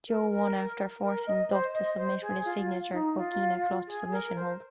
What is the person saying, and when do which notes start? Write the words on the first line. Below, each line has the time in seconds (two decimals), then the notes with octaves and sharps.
Joe won after forcing Dutt to submit with his signature Coquina Clutch submission hold.
0.08 A#4
0.31 A#4
1.02 A#4
1.26 D#5
1.50 C5
1.74 D#5
1.97 C5
2.21 G#4
2.45 F4
2.92 D#4
3.16 F4
3.87 G#4
4.12 A#4
4.35 C5